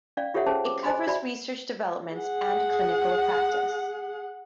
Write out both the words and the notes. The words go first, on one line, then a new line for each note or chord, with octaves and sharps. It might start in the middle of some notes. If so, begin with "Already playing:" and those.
It covers research developments and clinical practice.
C#4 D5 F5
F4 G4 A4 C#5 E5 F#5
C#4 G#4 C5 A5
D6
C5 D#5 G#5 B5 C6
F#4 D5 E5 B5
G#4 F#5